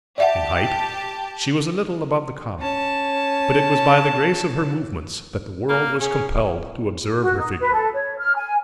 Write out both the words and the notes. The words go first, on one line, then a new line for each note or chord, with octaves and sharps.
In height she was a little above the common, but it was by the grace of her movements that the world was compelled to observe her figure.
G4 D5 E5 F#5 A5
C#4 A5
A#3 F6
C#4 G#4
F#4
D#4
B4
A4
C#5
F6
G#5